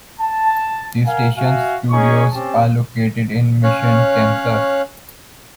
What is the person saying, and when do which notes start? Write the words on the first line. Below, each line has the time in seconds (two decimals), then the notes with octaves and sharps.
The station's studios are located in Mission, Kansas.
0.21 A5
1.05 A#4 F5 F#5 G#5
1.36 F#4 E5 F5 G#5
1.91 C#4 D#4 G#4 C#6
2.33 C4 C#4 G4 A5
3.64 C#4 C#5 F5 F#6